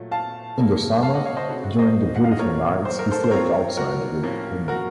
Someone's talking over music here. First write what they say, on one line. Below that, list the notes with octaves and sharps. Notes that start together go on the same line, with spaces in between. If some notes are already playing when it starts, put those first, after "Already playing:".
In the summer, during the beautiful nights, he slept outside, with Homo.
Already playing: A#2 F#3 A3
F5 A5
C#3 F#3 A#3
F5 A5
D#5 F#5
C#5 F5
C5 D#5
C#3 A3 C4 D#4 F#4
F#4
C5 D#5
F#5
F5
D#5
A#2 A3 C4 A#4 C#5
C5
A#4
A4 C5
C5
F3 C4 F4 A#4 C#5
F#4 A#4
A2 F3 A#3 C#4
F#4 A#4